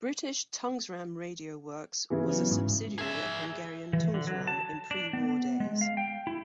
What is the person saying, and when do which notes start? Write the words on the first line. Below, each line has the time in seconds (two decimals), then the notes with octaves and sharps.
British Tungsram Radio Works was a subsidiary of Hungarian Tungsram in pre-war days.
2.10 C#3 E3
2.29 F#3 B3 C#4
2.51 G#2
2.98 G#4 E5
3.93 E3
4.14 D3
4.27 F#3
4.47 A5
4.91 D4
5.13 B3
5.60 G#3
5.81 F5
5.97 G5
6.27 E4